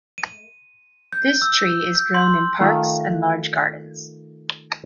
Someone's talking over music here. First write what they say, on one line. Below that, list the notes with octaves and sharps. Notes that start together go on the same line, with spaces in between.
This tree is grown in parks and large gardens.
D#7
G6
E6
G6
C6
D#3 A3 F4